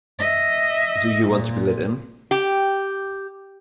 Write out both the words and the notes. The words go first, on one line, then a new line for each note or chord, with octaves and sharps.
Do you want to be let in?
D#5 E5
A#2
G4